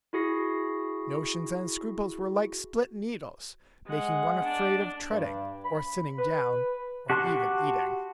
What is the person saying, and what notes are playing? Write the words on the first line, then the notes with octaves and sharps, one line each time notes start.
Notions and scruples were like spilt needles, making one afraid of treading, or sitting down, or even eating.
E4 F#4 G#4 A#6 C7
G#3 F#5
D4 D5
G2
B5
B4
F#4 G4 A5 C6 F#6